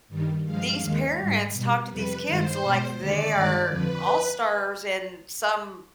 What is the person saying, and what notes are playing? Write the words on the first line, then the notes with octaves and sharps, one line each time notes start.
These parents talk to these kids like they are all-stars in some
G2 D#3 G3
G2 F3 G#3 F5
D#2 D#3 G#3
G#2 G3
B2
G3
F2 C3 G3 B4
G2 D#3 G#3 C5
B2 G#3
D#2 D3 G#3 D5
G2 D#3 G#3
F2 D3 F3 B4